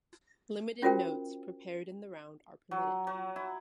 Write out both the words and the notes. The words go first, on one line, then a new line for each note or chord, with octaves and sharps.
Limited notes, prepared in the round, are permitted.
C#4 F4 F#4 A#4 C5 G5
F#3
F#3
E4